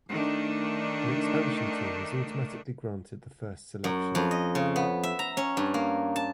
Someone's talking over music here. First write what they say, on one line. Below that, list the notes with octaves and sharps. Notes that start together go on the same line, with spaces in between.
An expansion team is automatically granted the first selection.
D#3 A3 D4
F#2
F2
D#5
C#3
B3
E5
A#5
C#4
G2
A#3
A5